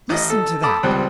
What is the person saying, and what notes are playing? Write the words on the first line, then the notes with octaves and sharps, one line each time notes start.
Listen to that!
A1 D#5
A4
A4 A5 B5 D6 D#6
C#2 G3 C4